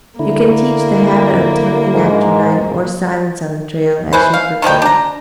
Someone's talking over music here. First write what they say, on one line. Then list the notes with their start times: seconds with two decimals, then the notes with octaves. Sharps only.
You can teach the habit of tongueing after night or silence on the trail as you prefer.
0.19 D3 A#3 E4
1.93 G#2
4.13 C#4 E4 B4 C5
4.34 F5
4.62 D#3 F3 G3 G5
4.82 D4 A#5